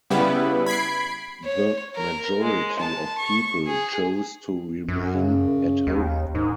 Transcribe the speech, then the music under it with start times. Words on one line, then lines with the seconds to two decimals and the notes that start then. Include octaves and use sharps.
The majority of people chose to remain at home.
0.10 C#3 G3 B3 E4 B4
0.66 B5 G#6 B6 C7 D7
1.45 C#5
1.96 A#4
2.40 G#3
2.80 A5
3.18 C#6
3.67 G#4
4.88 F#2
5.14 C#3
5.87 D#2
6.35 G#2 D#3